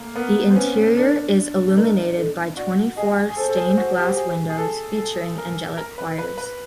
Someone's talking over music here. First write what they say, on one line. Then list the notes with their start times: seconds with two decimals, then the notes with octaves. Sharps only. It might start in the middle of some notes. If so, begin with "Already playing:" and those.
The interior is illuminated by twenty-four stained glass windows featuring angelic choirs.
Already playing: A3 A#3
0.16 B3 A#4
0.51 C4
0.56 C#4 B4
0.96 D4 A#4
1.66 D4
1.76 D#4 A#4
2.17 A4
2.57 F#4 D5
2.96 G#4 D#5
3.30 G#4
3.37 A4 C5
3.50 A4
3.57 G#4
3.78 F#4
3.98 G4
4.17 G#4
4.50 G#4
4.58 A4
4.98 A4
5.38 A#4
5.77 A#4
5.98 B4
6.18 B4
6.38 B4